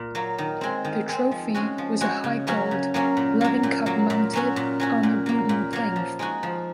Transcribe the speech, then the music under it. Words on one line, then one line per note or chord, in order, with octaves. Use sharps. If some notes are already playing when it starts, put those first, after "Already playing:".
The trophy was a high gold loving cup mounted on a wooden plinth.
Already playing: A#2
F#3 A#3
D#3
G#3 C4
D#3
G#3 C4
F3
G#3 C#4 F#4
F3
G#3 C#4 F#4
C#3
F#3 A#3 C#4
C#3
F#3 A#3 C#4
A#2
F#3 A#3
A#2
F#3 A#3
A#2
F#3 C#4 F#4
A#2
F#3 C#4 F#4
A#2
F#3 A#3
A#2
F#3 A#3
F3
G#3 D#4 F#4
F3